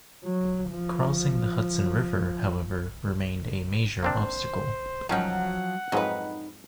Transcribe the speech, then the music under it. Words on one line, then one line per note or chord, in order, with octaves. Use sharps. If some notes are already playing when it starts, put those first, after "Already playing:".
Crossing the Hudson River, however, remained a major obstacle.
F#3
F3
A#3 C4 D4 C5
D#3 F3 F#3 C#4 D#4 F#5
F2 G#2 F#3 D#4 B4